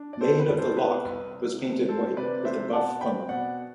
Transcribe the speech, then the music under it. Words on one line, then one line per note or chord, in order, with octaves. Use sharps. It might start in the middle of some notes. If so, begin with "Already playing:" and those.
"Maid of the Loch" was painted white with a buff funnel.
Already playing: D4
D5
B2 A4 C5
B4
C2
A4 C5
B2 B4
C2
C3
C4
C4 A4 C5
C3 B4 D5
A3 C5 E5
B2 F#5 A5
C4 G5 B5
B2 D5 F#5